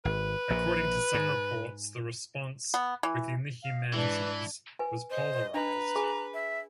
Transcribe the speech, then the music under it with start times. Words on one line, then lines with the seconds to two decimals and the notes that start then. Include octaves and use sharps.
According to some reports, the response within the humanities was polarized.
0.05 G#1 B4
0.50 A#1 A#2
1.14 G#2
2.74 B3
3.03 E3
3.63 F5
3.94 G#2 E3 G#3 D4 E4 B4
4.79 B4 G#5
5.10 C5 D#5
5.54 D4 B4 A#5
5.96 G#4 G#5
6.34 E5